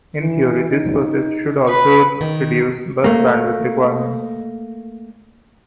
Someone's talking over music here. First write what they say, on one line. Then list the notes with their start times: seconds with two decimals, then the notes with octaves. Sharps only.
In theory this process should also reduce bus bandwidth requirements.
0.20 E3
0.70 D#4
1.69 B4
2.21 D#3
3.04 A3 A#3